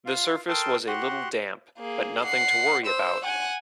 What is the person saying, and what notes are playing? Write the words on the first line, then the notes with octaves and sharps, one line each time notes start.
The surface was a little damp, but nothing to worry about.
F4 F5
A4 A#4 G5 A5 C6 D#6
F#4 G4 F#5 C6 F#6
A#3 G#4
F#5 C7
C5 E6
F#5 G#5